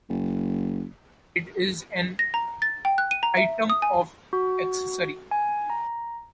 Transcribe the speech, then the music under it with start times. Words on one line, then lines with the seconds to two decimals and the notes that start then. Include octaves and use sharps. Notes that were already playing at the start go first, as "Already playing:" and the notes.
It is an item of accessory.
0.09 F#1
2.19 A#6
2.34 A#5
2.62 A6
2.85 G5
2.98 F#6
3.11 D#7
3.23 A#5
3.37 E5
3.70 D#6
3.82 G#5
4.33 F#4
5.31 G#5
5.70 A#5